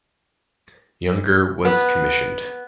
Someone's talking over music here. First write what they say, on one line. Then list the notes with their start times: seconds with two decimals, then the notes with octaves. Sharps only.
Younger was commissioned.
1.65 B3